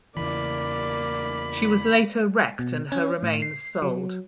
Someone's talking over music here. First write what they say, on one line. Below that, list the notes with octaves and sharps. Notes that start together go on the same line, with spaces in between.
She was later wrecked and her remains sold.
E2 C#3 E3 A#3 D5 B5
B2
C#4
A2
C7
F#3